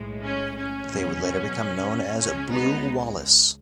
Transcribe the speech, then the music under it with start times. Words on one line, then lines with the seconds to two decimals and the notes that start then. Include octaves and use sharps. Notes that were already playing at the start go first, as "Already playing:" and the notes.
They would later become known as 'blue Wallis'.
Already playing: B1 A2 G#3
0.25 C#4
0.57 C#4
0.90 E2 B2 F#3
2.19 C#2 C#3 G#3 C#4
2.51 B3 D#4